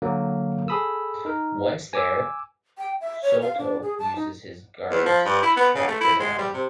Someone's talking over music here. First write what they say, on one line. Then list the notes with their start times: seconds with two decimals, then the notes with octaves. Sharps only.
Once there, Sholto uses his guards to track her down.
0.02 D3 F#3 A#3
0.68 G#4 A4 B5 D#6 E6
1.25 D#4 A#4
1.93 G#5 D6 E6
2.78 G5
3.01 E5
3.22 C#5
3.42 F5
3.58 D4
3.82 G#4
3.99 A5
4.16 D#4
4.91 E2
5.06 F3
5.25 G2
5.43 E4
5.56 B3
5.75 C#3
5.88 A3
6.01 E4
6.20 G#3
6.38 G3
6.54 C3